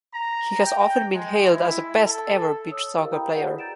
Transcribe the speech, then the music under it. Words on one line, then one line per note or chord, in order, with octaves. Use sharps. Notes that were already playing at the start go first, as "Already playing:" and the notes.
He has often been hailed as the best-ever beach soccer player.
A#5
G5
G#3
E4
A4
C#5 D#6 E6
E4 G4 A#4 C5 D#5 F5
G5 A#5 B5 D#6 G6
E4 F#4 G#4 B4 D5 F#5
A#5 G6 A6 D7 E7